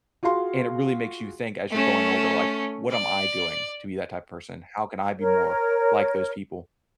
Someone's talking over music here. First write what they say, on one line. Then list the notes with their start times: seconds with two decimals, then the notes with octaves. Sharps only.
And it really makes you think as you're growing older, like, "What am I doing to be that type of person? How can I be more like those people?"
0.23 F4 F#4 G#4 F5 C6
1.71 A3 C#4
2.90 D5
5.19 A#4 C#5